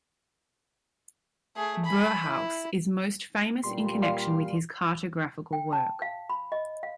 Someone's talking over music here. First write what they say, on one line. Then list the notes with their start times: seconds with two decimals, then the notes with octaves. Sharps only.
Berghaus is most famous in connection with his cartographical work.
1.56 A3 G#4
1.85 G#5 B5
2.26 E4
3.64 A#2 G3 C6
4.02 D5 F5 C6
5.53 G5
5.73 A5
6.02 F5
6.30 B5
6.52 D#5
6.83 F5